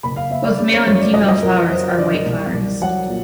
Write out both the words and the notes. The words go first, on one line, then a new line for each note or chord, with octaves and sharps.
Both male and female flowers are white flowers.
F#1 B5
F5
F#1 E5
D5
C#3 D5
C#5
F#2 C#5
D5
F2 D#5
D#5
F2 A#4
B4
F#3 C5
D3 D5
C2
C2
F#3 F#5
A#2